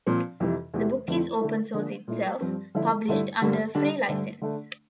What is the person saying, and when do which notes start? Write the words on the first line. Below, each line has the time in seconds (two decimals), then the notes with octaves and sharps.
The book is open source itself, published under a free license.
0.07 A#2 F3 C4
0.40 F2 C3 E3
0.74 E2 C3 E3
1.08 F2 D3 F3 A3 C4
1.41 D3 A3 E4
1.74 D3 F3 A#3 D4
2.08 A#2 A3 E4
2.41 G2 F3 C4
2.75 D3 F3 A3 E4
3.08 G2 D3 A3 E4
3.41 G2 D3 G3 A#3
3.75 D3 G3 D4
4.08 G2 D3 A3
4.42 D3 A3 D4